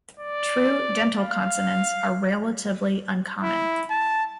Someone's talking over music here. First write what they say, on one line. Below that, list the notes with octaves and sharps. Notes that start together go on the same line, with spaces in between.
True dental consonants are relatively uncommon.
D5
F5
E4
A5